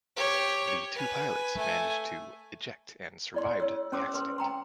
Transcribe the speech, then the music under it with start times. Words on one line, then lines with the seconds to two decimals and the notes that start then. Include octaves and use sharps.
The two pilots managed to eject and survived the accident.
0.16 G4 C#5
0.95 B4 G#5
1.57 A3 G#5
3.34 E4 D5 C6
3.60 E4 C#5 E6
3.92 C#4 C5 C6 D6 E6
4.14 B4 C6
4.38 G5 A#5 C6